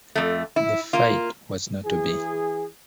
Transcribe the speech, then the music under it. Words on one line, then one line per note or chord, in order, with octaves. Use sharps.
The fight was not to be.
F2 A3
E4
A#3 F4
E3 G#4